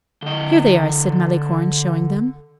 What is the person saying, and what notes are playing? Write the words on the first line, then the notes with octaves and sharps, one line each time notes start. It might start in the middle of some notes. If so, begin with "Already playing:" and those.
"Here they are," said Malicorne, showing them.
D3 D#5